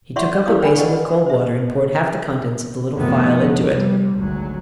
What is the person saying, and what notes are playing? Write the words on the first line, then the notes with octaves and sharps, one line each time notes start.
He took up a basin of cold water, and poured half the contents of the little phial into it.
E4 D5 E5 F#5 C6 C#6
C#4 E4 G4 D5 F5 D#6
C5 D5 G5 G#5 B5
B4 D#5 F#5 G5 C#6
C5 E5
F#2 C3 D#3 F3 A3 B3
C3 G3
G#1 D2 G#2 F#3